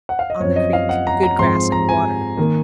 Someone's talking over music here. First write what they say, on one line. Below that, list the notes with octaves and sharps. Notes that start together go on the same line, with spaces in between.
On the Creek.--Good grass and water.
F#5
F5
D#5
F#2 F3 C4 C#5
D#5
F5
F#5
A#5
A#5
G#2 F3 G#3 C4 C6
C6
A#5
G#5
D#3 A#3